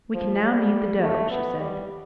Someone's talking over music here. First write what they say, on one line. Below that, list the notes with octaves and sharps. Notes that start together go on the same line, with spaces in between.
"We can now knead the dough," she said.
F3
G3
A3
B3
G3